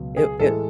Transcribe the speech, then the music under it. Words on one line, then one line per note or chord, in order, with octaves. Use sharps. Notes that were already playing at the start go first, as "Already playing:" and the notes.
It it
Already playing: C#2 B2 F#3
G#4
A2 E3 G#3 A4